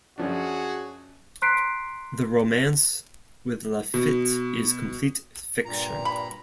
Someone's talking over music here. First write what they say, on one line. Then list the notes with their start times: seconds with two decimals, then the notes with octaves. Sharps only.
The romance with Lafitte is complete fiction.
0.18 F#2 F3 D4 F#4 G#4 C#5
1.42 A#5 C6 F#6 B6 C7 D7
3.94 B2
5.65 G2 A#2 A#5
6.05 B5